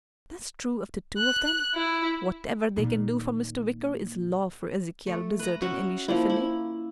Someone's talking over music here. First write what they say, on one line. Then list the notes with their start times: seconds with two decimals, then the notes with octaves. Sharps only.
That's true of the two of them--whatever they can do for Mr. Wicker is law for Ezekial Blizzard and Elisha Finney.
1.18 F#6
1.75 E4
2.76 A#2 D#3
5.07 A3
5.39 B4 A#5
5.62 C#4 F#4 E5
6.08 F3 A#3 E4
6.30 E4